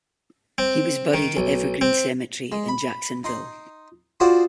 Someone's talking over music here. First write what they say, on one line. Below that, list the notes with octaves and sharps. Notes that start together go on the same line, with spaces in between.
He was buried at Evergreen Cemetery in Jacksonville.
C4
D#3
B1
C4
G#3
B5
D#4 C6
F4 F#4 G#4 C5 D5